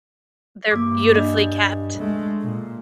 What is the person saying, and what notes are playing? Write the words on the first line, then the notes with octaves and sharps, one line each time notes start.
They're beautifully kept.
G2 A#3 D6
D4 D#5
G#3 A3
A#2